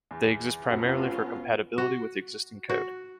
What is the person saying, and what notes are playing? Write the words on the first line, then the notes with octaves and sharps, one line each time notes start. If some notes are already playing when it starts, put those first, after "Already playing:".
They exist primarily for compatibility with existing code.
E2
F1 B3 C#4 F4 F#4
F#4
F#4